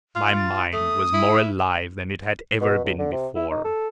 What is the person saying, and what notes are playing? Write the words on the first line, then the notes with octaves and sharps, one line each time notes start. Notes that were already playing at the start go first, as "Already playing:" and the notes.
My mind was more alive than it had ever been before.
F4
A6
A3 D#6
E4
B2
C#2
D3
C3
E4
D#4
A4